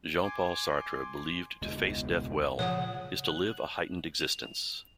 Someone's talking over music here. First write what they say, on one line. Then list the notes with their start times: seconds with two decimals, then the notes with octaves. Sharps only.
Jean-Paul Sartre believed to face death well is to live a heightened existence.
0.23 G#5 C6 D6
1.62 E1 C#2 B2 G#3
2.59 A#2 C#3 F3 C#5 F#5 D#6
3.27 F#6
4.20 F7